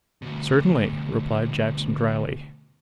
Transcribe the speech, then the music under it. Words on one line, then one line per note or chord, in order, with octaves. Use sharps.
'Certainly,' replied Jackson drily.
D2 B2